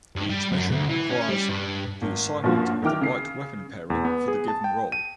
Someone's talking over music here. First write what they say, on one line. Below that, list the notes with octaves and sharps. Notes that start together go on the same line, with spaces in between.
Each mission requires the assignment of the right weapon pairing for the given role.
G2
G3
F#2
D2
E3
C#4
G3
G2
G#1
G2 A#2 F3 C#4 F4 F#4
D#3 E3 G5 D6 F6
C#3 C7
E2
B3
G#4
A5
G5
D#7